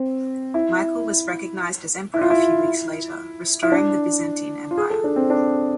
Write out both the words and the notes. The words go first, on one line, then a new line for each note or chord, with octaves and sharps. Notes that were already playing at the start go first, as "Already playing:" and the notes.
Michael was recognized as emperor a few weeks later, restoring the Byzantine Empire.
Already playing: C4
E4
E4
F4
E4
E4
D4
F4
G#4
A4
D4
C4
D4